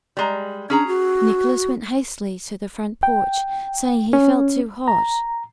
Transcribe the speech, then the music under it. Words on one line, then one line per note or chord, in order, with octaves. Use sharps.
Nicholas went hastily to the front porch, saying he felt too hot.
G3 G#3 A#5
C#4 D4 G#4 A#5
F#4
G5
C#4
A#5